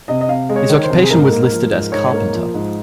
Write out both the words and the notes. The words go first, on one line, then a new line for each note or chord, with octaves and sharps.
His occupation was listed as carpenter.
C3 D#5
D#5
C3 F5
G#3
C#5
D#3
C5
C3
G#4
G#2 A#4
A#3
F3
G#2
G#2 C#5
A#3
F3
G#2